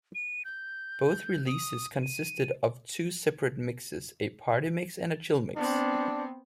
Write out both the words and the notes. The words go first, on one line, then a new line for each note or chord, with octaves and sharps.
Both releases consisted of two separate mixes, a party mix and a chill mix.
D#7
G6
D#6
D#7
B3 C4 D4